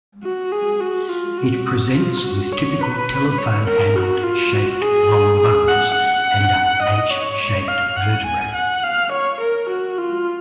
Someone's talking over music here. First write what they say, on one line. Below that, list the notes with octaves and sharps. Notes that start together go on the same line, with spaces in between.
It presents with typical telephone handled shaped long bones and a H-shaped vertebrae.
F#4
G#4
F#4
F4
F#4
F4
F#4
C#5
B4
C#5
A#4
F#4
F4
F#4
G#4
G#4
F#5
F#5
D#5
C#5
F5
F#5
G#5
F#5
F5
C#5
A#4
F#4
F4